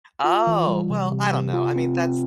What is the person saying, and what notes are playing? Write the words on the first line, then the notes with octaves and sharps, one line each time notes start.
Oh, well, I don't know. I mean, that's
F4
E3
G3
C3
C3
C3
F4
C4
C4